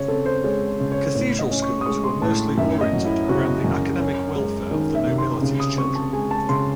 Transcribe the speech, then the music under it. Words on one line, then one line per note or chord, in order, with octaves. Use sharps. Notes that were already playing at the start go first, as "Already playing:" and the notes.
Cathedral schools were mostly oriented around the academic welfare of the nobility's children.
Already playing: C#3 C#5
C4 A4
C5
G#3 C#5
C#5
C#3
C#5
A2 C#5
D#5
C#4
C#6
D#6
G#3 C#6
C6
A2 A5
F#2 E5
D#5
F#3
E4
C#3 F#4
F#2
C#4
G#3
D#3
E5
C3
C6
C#3
D#6
C4 C#6
A5
G#3 G#5
A5
C#3 C6